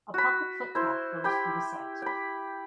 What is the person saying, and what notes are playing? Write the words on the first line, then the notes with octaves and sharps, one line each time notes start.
A public footpath goes through the site.
F#4 B5
E4 C5
G4 G5 B5
G5 B5